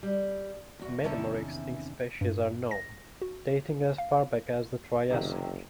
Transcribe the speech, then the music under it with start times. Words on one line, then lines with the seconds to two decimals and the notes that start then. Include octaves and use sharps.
Many more extinct species are known, dating as far back as the Triassic.
0.03 G3
0.79 E2 F#4
1.04 E2 C3 D#3 C#4 E5 A5
2.21 G2
2.71 A#6
3.22 F#4
3.98 F5
5.11 F#1 C3 D#3